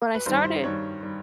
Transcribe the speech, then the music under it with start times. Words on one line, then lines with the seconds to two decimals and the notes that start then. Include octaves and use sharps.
but I started
0.15 B4
0.26 G2 D#3 G3 C5
0.44 C5
0.63 G2 D#3 G3 C#5
1.02 D#3 G3